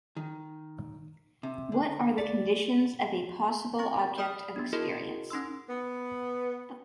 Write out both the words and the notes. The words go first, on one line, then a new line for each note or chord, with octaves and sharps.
What are the conditions of a possible object of experience?
D#3
C3
D3
D5
C4 C#6 A#6
A6
D5 B5 D#6 F6
B3 D4
E4 F#4 G#4 A#4 D#5 C6
C#4 D#4 C6 E6
B3